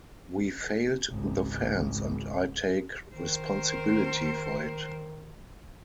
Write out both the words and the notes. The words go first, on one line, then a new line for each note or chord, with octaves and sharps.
We failed the fans and I take responsibility for it.
G#1 C#2
D#3 A#4 C5